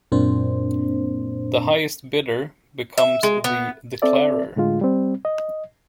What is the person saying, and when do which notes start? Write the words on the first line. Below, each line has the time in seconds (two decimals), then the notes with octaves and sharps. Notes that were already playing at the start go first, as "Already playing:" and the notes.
The highest bidder becomes the declarer.
0.12 F#2 A#2 A#3 C4 D4 C5
2.98 E5
3.23 G#3
3.44 B3
4.02 C4 A4 D5 E5
4.56 A2 D3 G#3 F4
4.81 G3 C4
5.25 D#5